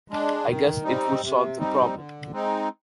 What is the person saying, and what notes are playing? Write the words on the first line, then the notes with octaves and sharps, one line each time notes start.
I guess it would solve our problem.
G#3 D4
D#3
G3 C4 D#4
C3
G3 C4 D#4
D3
G#3 C4 D#4